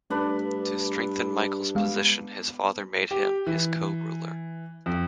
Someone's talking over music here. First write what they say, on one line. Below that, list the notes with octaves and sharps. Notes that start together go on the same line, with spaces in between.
To strengthen Michael's position, his father made him his co-ruler.
G2 A3 D4 B4
G#3 B3 F5
G4
E3
F2